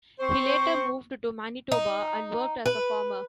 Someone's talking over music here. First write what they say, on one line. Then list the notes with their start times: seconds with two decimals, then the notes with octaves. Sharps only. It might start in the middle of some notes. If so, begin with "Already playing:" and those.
He later moved to Manitoba, and worked as a farmer.
0.19 C4 C5 C#6
1.72 D#4
2.66 B4